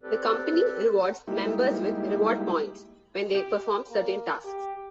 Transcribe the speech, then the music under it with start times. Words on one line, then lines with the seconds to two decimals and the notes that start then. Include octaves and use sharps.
The company rewards members with 'reward points' when they perform certain tasks.
0.03 C4 G4 A4 B4 D5
1.28 G3 G#3 A#3 D#4 E4 G4
3.35 G4
3.90 A#3
4.45 G4